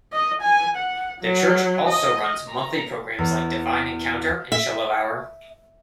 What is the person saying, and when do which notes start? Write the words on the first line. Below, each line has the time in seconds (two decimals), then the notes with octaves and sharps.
The church also runs monthly programmes like Divine Encounter and Shiloh Hour.
0.13 D#5
0.42 G#5
0.76 F#5
1.22 F#3
1.87 D#5
2.49 A#5
3.18 E2
3.73 D7
4.52 E5